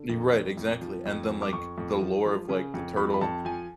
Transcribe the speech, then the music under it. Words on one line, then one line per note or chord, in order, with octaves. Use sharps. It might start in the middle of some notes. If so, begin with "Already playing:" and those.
You're right, exactly, and then, like, the lore of like the Turtle
Already playing: D3
F2
F2
F2
F3
F2
F2
D6
F2 C#6
F2
F3
F3
C#3
F2
F2 B5
B5
F2 A5
F3 G#5